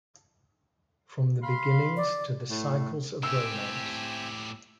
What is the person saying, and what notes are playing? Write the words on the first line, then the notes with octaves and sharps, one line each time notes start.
From the Beginnings to the Cycles of Romance.
F5 B5 C6
D5
A2
A2 C4 G4 E5 G#5 E6